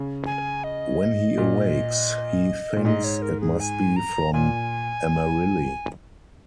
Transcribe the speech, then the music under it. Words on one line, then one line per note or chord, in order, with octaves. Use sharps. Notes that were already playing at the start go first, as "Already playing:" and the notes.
When he awakes, he thinks it must be from Amarilli.
Already playing: C#3
G#5
D#5
A#2
A#2
G#2 D#5
C#5
A#4
G#4
G#5
A#5
A#2 G#5